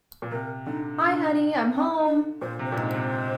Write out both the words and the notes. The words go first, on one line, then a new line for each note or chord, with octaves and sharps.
Hi Honey, I'm Home!
A#2
C3 A#4
D3 D#4
D4
C4
D4
A#2 C5
C3
C5
A#2
G#2
C5
C3